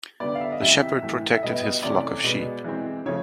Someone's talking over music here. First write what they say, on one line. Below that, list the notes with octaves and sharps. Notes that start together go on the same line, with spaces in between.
The shepherd protected his flock of sheep.
D3 G3 B3 D5
F5
E5
D#5
C3 E3 G3 C4 E5
A2 E3 A3
E5
B2 G3 B3 D#5
D#5
C3 E3 A3 C#4 D5
B2 G#3 B3
E3 G#3 C4
C#3 F3 A3 C#5